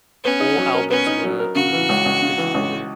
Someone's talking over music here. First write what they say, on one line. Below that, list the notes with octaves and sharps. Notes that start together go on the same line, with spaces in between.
All albums were released digitally.
B3 C#4
D#4
F#3
A#4
B3 C#4
D#4
F#3
A#4
C#3 F#4
E3
C#2
C#2
C#3
E3
C#2